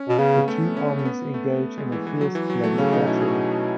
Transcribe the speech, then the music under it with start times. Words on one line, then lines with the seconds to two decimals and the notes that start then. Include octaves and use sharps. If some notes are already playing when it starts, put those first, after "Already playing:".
The two armies engage in a fierce, bloody battle.
Already playing: C#4
0.08 B2
0.19 C#3 B3
0.48 A3
0.77 C#4
0.99 A3
1.05 B3
1.34 A3
1.78 G#3
1.92 E3
2.07 E3
2.21 F#3
2.35 E3
2.50 F#3
2.64 A3
2.78 C#3 C#4
2.93 D#4
3.07 B2 E4
3.21 G#4